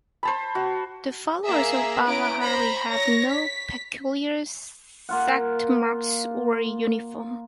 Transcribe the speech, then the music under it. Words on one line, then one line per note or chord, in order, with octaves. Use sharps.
The followers of Bala Hari have no peculiar sect marks or uniform.
C5 A5 B5
F#4
A#3 G#4 E5 A#5
C#4 E4 B4 A#5 D7
C5 A#5 B5
C#5 A#6
B6
A#3 F4 F#5